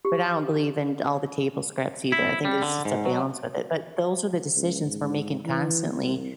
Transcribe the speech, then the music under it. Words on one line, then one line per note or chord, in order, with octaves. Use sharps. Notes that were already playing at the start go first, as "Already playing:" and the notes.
but I don't believe in all the table scraps either. I think there's just a balance with it. But those are the decisions we're making constantly.
G4
E4
G3
D3
G#2
F#3
C#2
G#2
E3
C2